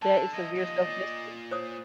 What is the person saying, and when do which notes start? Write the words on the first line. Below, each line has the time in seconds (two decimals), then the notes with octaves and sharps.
That is severe self-discipline.
0.02 D3 A5
0.34 F#3 E4 D#5
0.55 D#2 F3
0.76 A#2 C#5 D5
1.51 C5 C#5 D#6